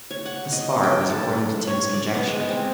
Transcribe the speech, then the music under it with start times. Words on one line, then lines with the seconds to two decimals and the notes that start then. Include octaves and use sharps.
Thus far it was according to Tim's conjecture.
0.11 C#5
0.25 F#5
0.52 D#5
0.83 G5
1.10 A4
1.67 C#5
1.93 D5
2.14 B3
2.27 G#3
2.49 C4